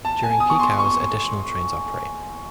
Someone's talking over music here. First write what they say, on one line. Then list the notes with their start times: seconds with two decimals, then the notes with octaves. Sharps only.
During peak hours additional trains operate.
0.05 A5
0.23 G#5
0.40 D#6
0.50 C#6
0.60 C6
0.79 C#6